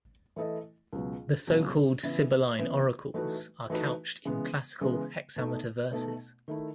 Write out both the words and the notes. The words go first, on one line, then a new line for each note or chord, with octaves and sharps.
The so-called Sibylline oracles are couched in classical hexameter verses.
E3 A3 E4 A4 D#5
C#2 B2 F#3
C#2 B2 F#3
C#3 E3 B3 E4
C#3 E3 B3 E4
E3 A3 D#4 F#4 B4
E3 A3 D#4 F#4 B4
C#3 E3 G#3 B3
C#3 E3 G#3 B3
B2 A3 D#4
B2 A3 D#4
D#3 A3 E4